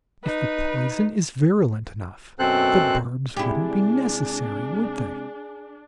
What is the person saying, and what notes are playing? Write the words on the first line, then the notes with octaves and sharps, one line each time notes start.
If the poison is virulent enough, the barbs wouldn't be necessary, would they?
D#4 B4
F#2 B2 C4 A4 C5 F#6
C3 G#3 D4 E4 G4 G#4